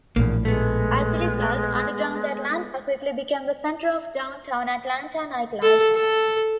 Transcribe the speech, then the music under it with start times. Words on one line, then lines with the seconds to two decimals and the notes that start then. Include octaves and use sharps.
As a result, Underground Atlanta quickly became the center of downtown Atlanta nightlife.
0.16 A#1 E2 A2 A#3
0.45 G#3 A3 B3
5.62 A4
5.95 A4